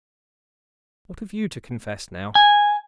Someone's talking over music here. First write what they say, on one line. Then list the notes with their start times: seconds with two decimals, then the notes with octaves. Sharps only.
What have you to confess now?
2.35 G#5